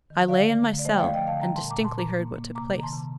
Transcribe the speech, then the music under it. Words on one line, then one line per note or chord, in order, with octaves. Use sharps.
I lay in my cell, and distinctly heard what took place.
D#3
D3 D5 F5
A3
D3
D5
A3 C5 D#5
G5
F3 D5 F5
D#5 G5
D3 F5 A5
G3 G5 A#5
A5 C6
A#2
A#5 D6
A#2 A5 C6
A#2 A#5 D6
A#3
A#3
C3 A#5 D6
D#3 A#5
A5 C6
C3